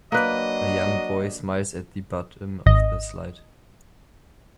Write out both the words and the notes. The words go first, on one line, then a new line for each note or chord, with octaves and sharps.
A young boy smiles at the bottom of the slide.
F#3 A#3 D4 B4 D#5
G#1 D#5